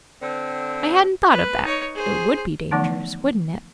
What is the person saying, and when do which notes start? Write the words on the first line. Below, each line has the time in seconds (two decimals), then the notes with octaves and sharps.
"I hadn't thought of that--it would be dangerous, wouldn't it?"
0.22 D3 C4
1.32 B4
1.64 D#4 C#5
1.95 G#4 C5
2.71 D3 E3 F3 A3 B3 D#4